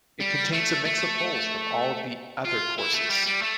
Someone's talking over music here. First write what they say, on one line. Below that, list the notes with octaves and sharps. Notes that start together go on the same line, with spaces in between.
It contains a mix of holes from all of the other courses.
G3
A3
A3
F4
E4
A3
G3
G3
A3